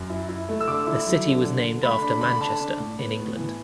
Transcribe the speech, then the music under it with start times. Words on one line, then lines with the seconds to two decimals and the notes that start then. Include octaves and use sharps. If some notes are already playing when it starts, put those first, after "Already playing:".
The city was named after Manchester, in England.
Already playing: F#2
0.10 E4
0.29 E4
0.49 A3
0.61 E6
0.68 D3 D6
0.87 E4
1.07 F#3
1.25 D3
1.45 D3
1.64 D3
1.83 A3 B5
2.02 D4 B5
2.21 D3 B5
2.41 D4 A5
2.60 D4
2.79 A2
2.99 B3
3.17 A2
3.36 E3